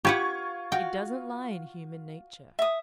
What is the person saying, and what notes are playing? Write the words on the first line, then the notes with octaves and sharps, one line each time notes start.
It doesn't lie in human nature.
F4 G4 B4 F#5 C#6 G#6
F#4 F5 G5
E5 D#6